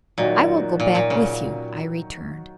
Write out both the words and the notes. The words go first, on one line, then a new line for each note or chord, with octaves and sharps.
"I will go back with you," I returned.
A#2 D#3 F#3 D#4 F#4
A#2
A#2
C#3